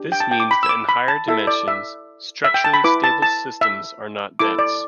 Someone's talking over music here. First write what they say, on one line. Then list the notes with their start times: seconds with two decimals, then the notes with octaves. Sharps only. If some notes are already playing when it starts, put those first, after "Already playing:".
This means that in higher dimensions, structurally stable systems are not dense.
Already playing: D4 G4
0.12 G5
0.20 A5
0.31 G5
0.40 D6
0.51 B5
0.63 E6
0.69 D6
0.89 B5
1.08 A5
1.28 E4 A4 E5
1.47 D5
1.68 E5
2.44 E5
2.54 G5
2.64 A5
2.74 B5
2.84 E4 B4 D6
3.04 A5
3.22 A5
3.61 E5
4.39 E4 A4 D6
4.59 D5